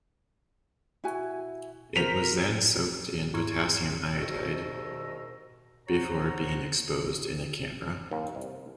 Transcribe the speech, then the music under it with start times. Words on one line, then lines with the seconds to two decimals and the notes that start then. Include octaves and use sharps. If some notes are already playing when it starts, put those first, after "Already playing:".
It was then soaked in potassium iodide before being exposed in a camera.
1.04 E4 F#4 G#5
1.96 A#4 C5 A#5 B6 F7
3.34 G#2 E4 A#5 C6 C#6 G#6
4.15 C2 G#2 B2 D#3 A#5 E6
5.88 C5 C#5 F#5 A#5
8.11 D#2
8.35 C2